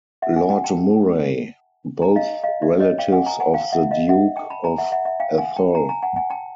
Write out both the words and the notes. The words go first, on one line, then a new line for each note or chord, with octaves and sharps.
Lord Murray, both relatives of the Duke of Atholl.
E5 F#5
F#5 G#5
F#5 G#5
G5 A5
G#5 A#5
D#5 F5
D#5 F5
D5 E5
C#5 D#5
F5 G5
F#5 G#5
G#5 A#5
F#5 G#5
F5 G5
E5 F#5
D#5 F5
E5 F#5
G5 A5
A5 B5
G#5 A#5
E5 F#5
E5 F#5
E5 F#5
F5 G5
F#5 G#5
G5 A5
G#5 A#5
G#5 A#5
F#5 G#5
F#5 G#5
G5 A5